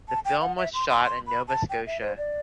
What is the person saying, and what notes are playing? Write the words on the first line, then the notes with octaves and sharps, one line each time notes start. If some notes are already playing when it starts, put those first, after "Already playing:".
The film was shot in Nova Scotia.
A5
G5
F#5
E5
C6
C6
C6
B5
A5
G5
E5
C5
D5